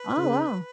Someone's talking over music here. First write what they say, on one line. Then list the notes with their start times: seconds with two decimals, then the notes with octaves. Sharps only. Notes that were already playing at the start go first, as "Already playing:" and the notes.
Oh, wow.
Already playing: B4
0.17 C#3